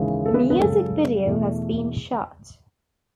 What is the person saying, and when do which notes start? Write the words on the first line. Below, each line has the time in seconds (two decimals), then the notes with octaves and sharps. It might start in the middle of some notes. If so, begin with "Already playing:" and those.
The music video has been shot.
Already playing: D#2 C#3 E3 G#3
0.26 A4
0.34 B3 B4
0.50 B3 B4
0.59 F#2 C#3 G#3 A4
1.26 E2 B2 A3